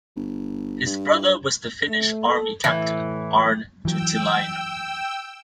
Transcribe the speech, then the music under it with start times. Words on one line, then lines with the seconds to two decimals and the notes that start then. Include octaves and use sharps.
His brother was the Finnish Army Captain Aarne Juutilainen.
0.16 G1
0.86 G2
1.89 A3
2.28 A4
2.64 A2 E3
3.85 E3 F#3 G5 E6